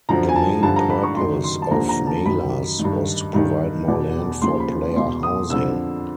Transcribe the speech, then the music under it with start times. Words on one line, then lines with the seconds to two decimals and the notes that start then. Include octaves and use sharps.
The main purpose of Malas was to provide more land for player housing.
0.09 F#2 D3 F3 A#5
0.29 G#5
0.36 A5
0.63 G2 D3 F3 A5
0.76 A#5
0.90 B5
1.03 C#6
1.16 F#2 D#3 C6
1.44 C6
1.62 A5
1.71 D#2 D3 F3 A#5
1.89 A#5
2.07 A5
2.25 F#2 D#3 B5
2.79 G2 D#3
3.34 G2 D#3
3.88 E2 B2
4.42 D#2 C#3 F3 C6
4.60 B5
4.96 E2 B2 C6
5.23 D#6
5.50 F2 D3 F3 E6